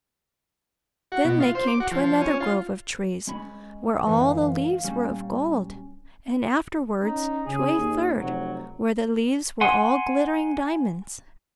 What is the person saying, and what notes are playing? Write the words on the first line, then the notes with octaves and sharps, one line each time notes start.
Then they came to another grove of trees, where all the leaves were of gold; and afterwards to a third, where the leaves were all glittering diamonds.
F#4
B2
F4
C5
D6
F#4
F3
F3
C#4
F4
G#3 C#4 B5
F#2 D3 E3 F5
A#2 G3 C#4
C#4 D#4
C#3 G#4
D#2
F1 F#3
F#5 G#5 C6